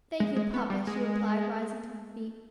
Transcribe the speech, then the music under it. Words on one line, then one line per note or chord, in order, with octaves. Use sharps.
"Thank you, papa," she replied, rising to her feet.
G#3
G#3
B3
G3
G#3